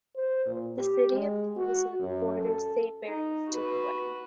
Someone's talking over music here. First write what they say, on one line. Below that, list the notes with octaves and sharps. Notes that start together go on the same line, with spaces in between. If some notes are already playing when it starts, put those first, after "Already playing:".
The city of Kingsland borders Saint Marys to the west.
C5
A#2
G4
G#3
F#4
F#2
A4
D#4
F#4 B4